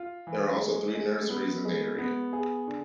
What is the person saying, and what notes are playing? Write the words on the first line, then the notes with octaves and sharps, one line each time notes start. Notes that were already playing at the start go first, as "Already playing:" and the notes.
There are also three nurseries in the area.
Already playing: F4
E3
G#3
G#3
B3
G#3
B3
G#4
D3